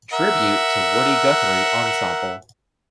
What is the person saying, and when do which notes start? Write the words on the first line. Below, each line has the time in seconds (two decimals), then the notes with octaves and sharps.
Tribute to Woody Guthrie ensemble.
0.13 A#4 E5 F#5